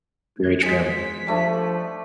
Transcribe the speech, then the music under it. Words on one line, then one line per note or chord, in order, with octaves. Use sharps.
very true.
G#3 G#4 B6
F3 G3 A3 D4